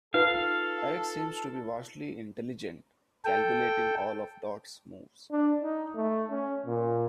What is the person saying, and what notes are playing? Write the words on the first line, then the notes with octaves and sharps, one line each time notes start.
Eric seems to be vastly intelligent, calculating all of Dodd's moves.
D#4 F4 A4 B4 F5
A4 G5
D4
D#4
A3
C#4
A#2